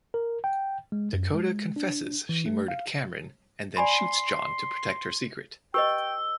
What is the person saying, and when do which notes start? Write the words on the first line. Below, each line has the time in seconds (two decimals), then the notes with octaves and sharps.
Dakota confesses she murdered Cameron and then shoots John to protect her secret.
0.14 A#4
0.44 G5
0.92 G#3
1.13 F#2
1.34 G#3
1.76 D4
2.29 E3
2.46 A3
2.68 F5
3.77 D5 G#5 B5 C6
5.74 G4 B4 D#5 G5 E6